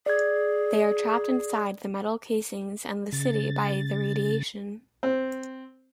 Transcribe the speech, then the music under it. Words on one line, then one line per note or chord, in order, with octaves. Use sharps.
They are trapped inside their metal casings and the city by the radiation.
G#4 D5 G#6
C#3 A6
C4